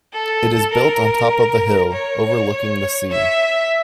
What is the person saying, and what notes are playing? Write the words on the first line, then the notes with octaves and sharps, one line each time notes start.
It is built on top of a hill, overlooking the sea.
A4
A#4
C#5
E5